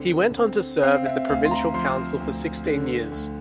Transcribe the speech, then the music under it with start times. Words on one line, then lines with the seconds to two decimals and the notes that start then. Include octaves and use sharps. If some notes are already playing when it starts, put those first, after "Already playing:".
He went on to serve in the provincial council for sixteen years.
Already playing: D2 D3 C4
0.38 C4
0.83 C4 F5
1.06 E5
1.28 D2 F5
1.45 C6
1.51 A#5
1.74 F3 C6
2.20 D2
2.66 D3
3.12 D2